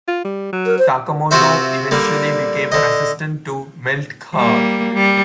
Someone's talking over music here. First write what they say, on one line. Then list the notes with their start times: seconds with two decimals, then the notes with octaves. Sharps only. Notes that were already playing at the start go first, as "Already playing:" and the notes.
Takamoto eventually became an assistant to Milt Kahl.
0.08 F4
0.24 G3
0.52 F#3
0.66 A#4
0.78 C5
1.31 C3 F4 F#4 C5 E5
1.91 D3 G3 A#3
2.72 D3 D#5
4.35 G3 A#3
4.94 G3